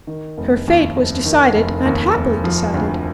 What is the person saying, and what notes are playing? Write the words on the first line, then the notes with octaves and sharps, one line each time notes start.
Her fate was decided and happily decided.
D#3
F1
D#2
F1
D#3
F1
D#2
F1
F3
D2